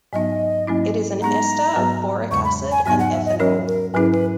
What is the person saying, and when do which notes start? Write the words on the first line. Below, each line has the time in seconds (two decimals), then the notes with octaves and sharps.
It is an ester of boric acid and ethanol.
0.13 G#2 F#3 B3 D#4 D#5
0.67 G#2 F#3 A#3 C#4 E4
1.22 G#3 B3 D#4 G#4 A#5
1.76 G#2 F#3 B3 F#4 B4
2.31 E2 C#3 G#3 C#6
2.44 B5
2.71 G#5
2.85 G#2 F#3 B3 D#4 G#5
2.99 F#5
3.12 E5
3.26 D#5
3.39 F#3 C#4 F#4 A#4 C#5
3.67 A#4
3.94 G#2 F#3 C#4 E4 G#4 B4
4.12 B4